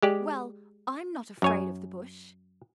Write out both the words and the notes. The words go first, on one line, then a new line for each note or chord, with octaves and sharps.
"Well, I'm not afraid of the Bush."
G#3 G4 D5
F#2 C#5 G#5